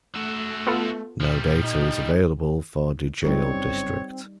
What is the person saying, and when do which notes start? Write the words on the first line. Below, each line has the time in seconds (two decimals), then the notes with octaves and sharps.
No data is available for Dujail District.
0.15 A3 F#4 E5
0.67 B3 F4 A4
1.21 A#2 F3 G3
1.63 D#4
3.25 F#1 G2 G3 C4 C#4 D#4 C#5